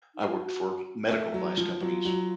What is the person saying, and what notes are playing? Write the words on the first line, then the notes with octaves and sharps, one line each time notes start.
I worked for medical device companies.
D#4
F4
F#4
A3
F#3
F3
F#3 F4
F#3